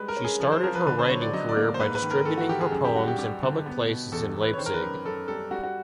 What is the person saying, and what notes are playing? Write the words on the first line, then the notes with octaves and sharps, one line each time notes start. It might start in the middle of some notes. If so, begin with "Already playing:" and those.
She started her writing career by distributing her poems in public places in Leipzig.
Already playing: G3 G#3 B4
A#4
C#4
G#4
F3
C5
F3 A#4
B4
D3 B4
C5
F#3 C#5
D5
F#3 D#5
D5
A#3
C5
G#2 B4
B4
D#3
A#4
D#3 A4
F#4
D#3 G4
G#4
F#2 G#4
G4
G3 F#4
G4
G3 G4
D3
B3
B2
E2 A4
E2
B4
C#5
D#3 C5
A#4
B4
F#2
F#2 A4
G3 A4
G3 F#4
F#4